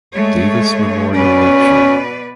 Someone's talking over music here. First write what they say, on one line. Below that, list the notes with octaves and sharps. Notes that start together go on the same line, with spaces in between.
Davis Memorial Lecture.
G#3 A3 C#5
B2 C#4 B4 D5